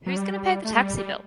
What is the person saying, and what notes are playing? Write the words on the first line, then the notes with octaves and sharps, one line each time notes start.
Who's going to pay the taxi bill?
F#3
G3
A3
G#3
G3
G3